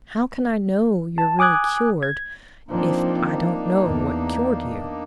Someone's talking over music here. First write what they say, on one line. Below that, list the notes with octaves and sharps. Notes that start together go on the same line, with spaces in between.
"How can I know you're really--cured, if I don't know what cured you?"
A5
G#5 D6 D#6 F#6 G#6
G#6
F3 A#3 C4 D4 D#4
E2